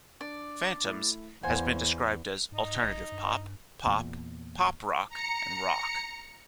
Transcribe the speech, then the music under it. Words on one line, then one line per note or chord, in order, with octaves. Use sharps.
"Phantoms" has been described as alternative pop, pop, pop rock, and rock.
D4 D5
A3 E4
E2 C5 F5 F#5 G#5
G#2 D#4
A1
G2
E2 A#2
A#5 C#7